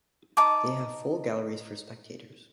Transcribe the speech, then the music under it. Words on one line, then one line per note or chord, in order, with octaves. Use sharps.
They have full galleries for spectators.
D#4 A5 D6